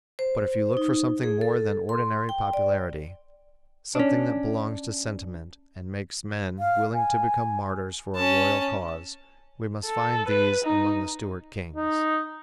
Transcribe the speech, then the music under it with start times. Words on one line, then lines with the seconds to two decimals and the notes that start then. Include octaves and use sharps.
But if you look for something more than ordinary popularity--something that belongs to sentiment and makes men willing to become martyrs for a royal cause--we must find these among the Stuart kings.
0.19 C5
0.77 D#4
1.23 G#4
1.41 A4
1.89 C6
2.29 G5
2.53 D5
3.95 C#4 D4
6.59 F5
6.94 G#5
8.16 C#4 A5
9.86 A4
10.28 B4
10.65 D#4
11.76 D#4